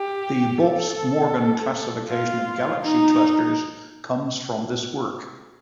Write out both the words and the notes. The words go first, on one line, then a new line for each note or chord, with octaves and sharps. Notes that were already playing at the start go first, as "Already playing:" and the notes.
The Bautz–Morgan classification of galaxy clusters comes from this work.
Already playing: G4
A4
F4
D#4